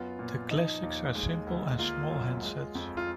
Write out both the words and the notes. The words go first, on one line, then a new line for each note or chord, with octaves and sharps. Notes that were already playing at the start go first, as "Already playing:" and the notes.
The Classics are simple and small handsets.
Already playing: F#2 B3 F4
A#2
F3 D#4
D#2
G#3
D2
A#3 F4
F#2
G#3
F2
F4